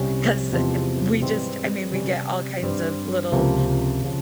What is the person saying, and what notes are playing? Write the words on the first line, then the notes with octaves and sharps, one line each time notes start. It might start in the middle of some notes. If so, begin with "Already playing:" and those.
'cause, eh, eh, we just I mean, we get all kinds of little,
Already playing: C2 C3 G3 C#4 E4
E2 C3 F3 G#3 C4
G#2 E3 G3 C4
C3 G3 C#4
G2 G3 C4 G4 C5
C#2 C3 F3 A#3
C#3 F3